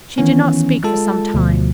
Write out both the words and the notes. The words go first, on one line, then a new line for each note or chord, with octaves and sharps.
She did not speak for some time.
D#3 E3 B3 C#4
G#3 F4 A4 A5
D2 B2 F3